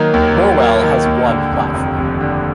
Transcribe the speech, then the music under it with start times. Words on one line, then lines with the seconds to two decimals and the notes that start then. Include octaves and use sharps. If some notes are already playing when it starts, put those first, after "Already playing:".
Morwell has one platform.
Already playing: D#3 F#3 A#3
0.14 D#2
0.36 F#3
0.60 A#3
0.83 D#3
1.06 D#2
1.28 D3
1.52 F1
1.74 F2
1.98 F1
2.21 D3